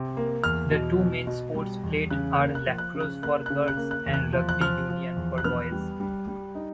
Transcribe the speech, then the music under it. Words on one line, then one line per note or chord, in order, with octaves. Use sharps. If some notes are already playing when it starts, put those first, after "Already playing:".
The two main sports played are lacrosse for girls and rugby union for boys.
Already playing: C3
A#3
E2 F6
B2
B2
B2
G3
E2
C#3 F#6
A#3 F#6
F#6
F3
F#6
C#3
F#6
A#3 F#6
C#3 F#6
F#6
A#3
F#6
E2
F#6
F3
F#6
F3 F6
F3
E2
F#6
B3 F6
G3
G3
G3
D#4